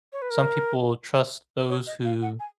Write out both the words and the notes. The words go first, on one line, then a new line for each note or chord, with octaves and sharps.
Some people trust those who
C#5
B4
A#4
C#5
D#5
F5
F#5
G#5